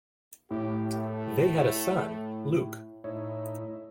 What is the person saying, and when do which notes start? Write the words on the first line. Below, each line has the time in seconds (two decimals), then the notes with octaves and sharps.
They had a son, Luke.
0.51 A2 G4
0.96 A3
3.04 A2 D#4 E4 C#5